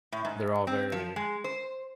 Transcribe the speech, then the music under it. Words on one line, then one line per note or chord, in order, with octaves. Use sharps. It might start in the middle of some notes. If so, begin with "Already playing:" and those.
They're all very
A2
G#2
C4
F3
G#3
C5